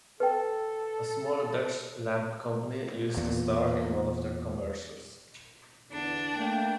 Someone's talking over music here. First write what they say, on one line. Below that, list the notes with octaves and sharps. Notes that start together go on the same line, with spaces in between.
A small Dutch lamp company used the star in one of their commercials.
A4 B4 G5
E2 A#2
E2 D3 D4
A3 A#3 G5